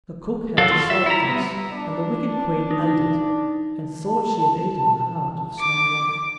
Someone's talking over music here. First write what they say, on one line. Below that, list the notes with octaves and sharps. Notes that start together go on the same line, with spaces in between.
The cook had to salt this, and the wicked Queen ate it, and thought she had eaten the heart of Snow-white.
F#3 A4 F5
F4
E5
E4 A#5
G3 B3
D4
D#4
A5
D6